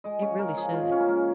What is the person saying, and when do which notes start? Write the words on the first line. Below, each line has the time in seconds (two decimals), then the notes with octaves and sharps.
It really should.
0.04 G#3 D#5
0.22 C#3 C#5
0.39 C#3 A#4
0.56 F3 G#4
0.73 G#3 F4
0.90 C#3 C#4
1.00 A#3
1.08 G#3 C#4